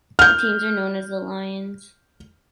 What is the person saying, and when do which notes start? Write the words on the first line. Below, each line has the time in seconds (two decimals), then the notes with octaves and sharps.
The teams are known as the "Lions".
0.19 F6 G6